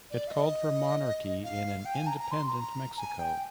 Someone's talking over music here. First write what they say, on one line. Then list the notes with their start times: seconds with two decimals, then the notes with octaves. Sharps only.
It called for monarchy in an independent Mexico.
0.11 D5
0.28 F5
0.31 D#5
1.44 F5
1.85 G5
1.94 G#5
2.07 A#5
2.19 A#5
2.31 C6
2.44 C6
2.49 A#5
2.94 A#5
2.98 G#5
3.19 G5